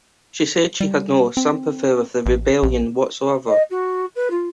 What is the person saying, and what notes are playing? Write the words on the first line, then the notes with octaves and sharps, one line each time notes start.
She said she had no sympathy with the rebellion whatsoever.
G3
C4
A1
A#1
D#5
F#4
B4
F4